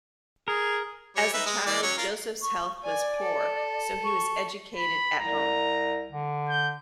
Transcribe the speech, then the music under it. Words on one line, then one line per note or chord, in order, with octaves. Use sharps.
As a child, Joseph's health was poor, so he was educated at home.
G#4 A#4
G3 C#5
D#4 B4 E5
G#3
E3 A#3 D5
F#3 C#4 C#5
F4 A#4
C#6
D5 G#5
A4
C#6
B5
C2 A#5
D3
G6